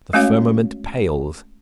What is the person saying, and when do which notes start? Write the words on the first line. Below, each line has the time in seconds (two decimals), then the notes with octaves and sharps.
The firmament pales.
0.13 G#3 A3 C#4 F#4 C#5 F5